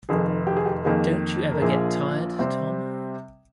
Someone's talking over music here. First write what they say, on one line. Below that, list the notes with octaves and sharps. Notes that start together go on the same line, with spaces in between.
Don't you ever get tired, Tom?
F1 F2 D#3 G#4
G4
G#4
G4
F2 D#3 A#3 G#4
A#4
A#1 A#2 F3 G#4
C3 G3 C4